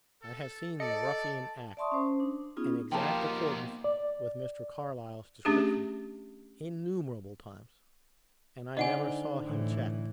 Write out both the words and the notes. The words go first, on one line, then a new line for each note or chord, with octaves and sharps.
I have seen the Ruffian act in exact accordance with Mr. Carlyle's description, innumerable times, and I never saw him checked.
A4
A4 D5 D#5 A5 C#7
D5 E5 A5 C6 C#6 D#6
C#4 C5
D4
B3 C#4 D#4 F4 G#4
B2 F3 A#3 D#4 F4 G4 G5 A5
D5
A3 C#4 D4 G4 G#4
D3 D#4 C5 D5 D#5 F#5 G#5
A2 E3